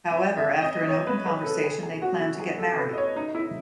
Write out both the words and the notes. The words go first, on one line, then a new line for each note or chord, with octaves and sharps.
However, after an open conversation they plan to get married.
E5
E5
D#5
C#5
B4
B4
A4
G#4
G#4
F#4
E4
G#4
A4
B4
D#5
C#5
D#4
E4